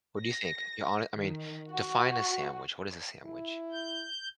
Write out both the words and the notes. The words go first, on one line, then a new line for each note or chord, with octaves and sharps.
What do you think? Your hone I mean, define a sandwich, what is a sandwich?
A#6
D#3
F#4
E4
G6